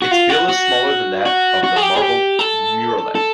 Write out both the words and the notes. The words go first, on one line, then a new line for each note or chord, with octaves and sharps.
Its bill is smaller than that of the marbled murrelet.
F#4
F4
F#4
F#4
F#4
F#4
G#4
G4
G#4
G4
A4
A4